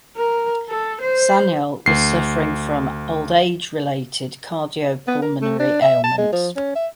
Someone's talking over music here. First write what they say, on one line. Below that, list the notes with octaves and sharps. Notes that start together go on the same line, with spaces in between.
Sanyal was suffering from old-age related cardio pulmonary ailments.
A#4
A4
C5
D2 C7
B3
A#4
A3
D4
E5
A5
G#3
F3
C#4
E5